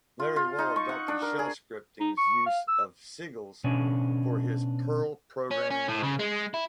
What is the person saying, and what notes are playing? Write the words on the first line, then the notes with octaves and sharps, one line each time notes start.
Larry Wall adopted shell scripting's use of sigils for his Perl programming language.
F4
F4
D#4
C#6
F#5
D4
A#4
G#4
D#4
C#6
F5
E6
B2 C#4 D4
C#4
C#4
A2
C#3
G#3
E4